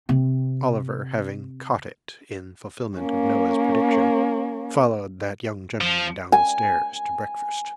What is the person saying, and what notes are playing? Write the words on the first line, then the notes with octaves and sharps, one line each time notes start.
Oliver having 'caught it,' in fulfilment of Noah's prediction, followed that young gentleman down the stairs to breakfast.
C3 C4
A#3 C#4
F3
G#5